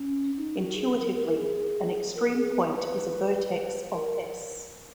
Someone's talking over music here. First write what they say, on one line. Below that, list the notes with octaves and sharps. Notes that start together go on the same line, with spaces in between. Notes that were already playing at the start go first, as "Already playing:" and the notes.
Intuitively, an extreme point is a "vertex" of "S".
Already playing: C#4
D#4
F#4
G#4
B4
A#4
A#4
G#4
A#4
G#4
B4
B4
A#4